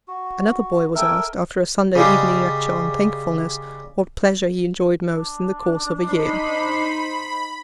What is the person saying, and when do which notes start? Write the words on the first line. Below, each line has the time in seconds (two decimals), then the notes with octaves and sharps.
Another boy was asked, after a Sunday evening lecture on 'Thankfulness,' what pleasure he enjoyed most in the course of a year.
0.08 F#4
0.95 A4 A#4 E5 G5 G#5
1.95 C#3 G3 G#3
5.07 D4
6.04 D#4 C5 B5